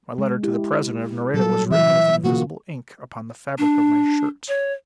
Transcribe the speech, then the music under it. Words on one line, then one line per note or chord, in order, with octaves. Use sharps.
My letter to the President of Nareda was written with invisible ink upon the fabric of my shirt.
G#3
E4 G4
A#2 F#3 G3 A4
E3 E5
B2 A#3 F4 F#4
D4
C#5